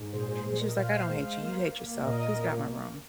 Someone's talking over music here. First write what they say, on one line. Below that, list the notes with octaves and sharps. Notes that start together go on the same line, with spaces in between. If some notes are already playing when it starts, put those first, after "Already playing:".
and she was like, "I don't hate you, you hate yourself, please get out my room."
Already playing: G#2
A#2 G#4 C5
G#4 C5
A#2 G#4 C5
A#4 D#5
A#2 C5 F5
G#3
A#3
A#3
A#2 A#4 D#5
A#3